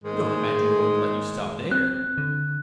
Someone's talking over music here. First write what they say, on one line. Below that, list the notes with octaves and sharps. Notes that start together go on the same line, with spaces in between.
"You don't imagine we're going to let you stop there?"
G#2 D#3 G#3
C4 F#6
D3